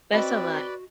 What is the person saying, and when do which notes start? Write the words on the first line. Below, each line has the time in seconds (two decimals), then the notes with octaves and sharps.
That's a lot.
0.12 C4 F#4 B4 D5 D#5 B5